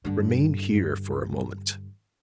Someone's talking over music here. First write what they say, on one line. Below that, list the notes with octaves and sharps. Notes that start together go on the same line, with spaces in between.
"Remain here for a moment."
G2 D3